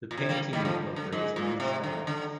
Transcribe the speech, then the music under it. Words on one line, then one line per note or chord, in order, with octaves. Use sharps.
The painting incorporates many styles.
A#2
C3
G3 A#3
D#3 G3
D3 F3
D3
G#2
A#2
C3
D3
D3